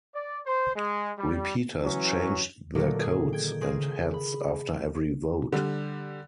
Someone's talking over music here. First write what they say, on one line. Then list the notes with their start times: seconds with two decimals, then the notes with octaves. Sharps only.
Repeaters changed their coats and hats after every vote.
0.12 D5
0.44 C5
0.74 G#3
1.17 G3
1.83 E3 F#3 C#4
2.75 A#2 D3 D#3 F#3 A3 A#3
3.01 G#4
3.33 G5 G#6
3.61 C#3 A#3 C4 G#4
4.14 B5
5.52 D3 G3